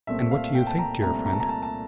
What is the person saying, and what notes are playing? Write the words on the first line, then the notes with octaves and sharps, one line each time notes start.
And what do you think, dear friend?
C2 A#2 A3 C4 E5
F5
G5
A5
A#5
C2 A#2 A3 C4 A#5
A#5
A5
A#5
A5
A5